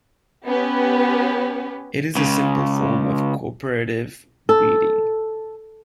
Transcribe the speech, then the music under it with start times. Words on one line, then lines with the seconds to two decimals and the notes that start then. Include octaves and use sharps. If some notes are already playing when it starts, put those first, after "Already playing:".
It is a simple form of co-operative breeding.
0.46 B3 C#4 G4 B4
2.15 C#2 C#3
4.49 A4